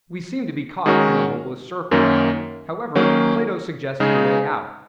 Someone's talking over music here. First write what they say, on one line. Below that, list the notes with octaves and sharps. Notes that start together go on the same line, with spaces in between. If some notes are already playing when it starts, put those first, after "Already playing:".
We seem to be caught in a hopeless circle. However, Plato suggested a way out.
D#3 G#3 C#4 F#4 A#4
F#2 D#3 A#3 C#4
D#3 F#3 A#3 C#4
C#3 G#3 D#4 G#4